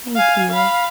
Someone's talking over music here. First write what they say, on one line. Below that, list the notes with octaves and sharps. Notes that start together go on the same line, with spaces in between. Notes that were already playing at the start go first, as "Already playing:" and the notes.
thank you.
F5 G#5
F5 B5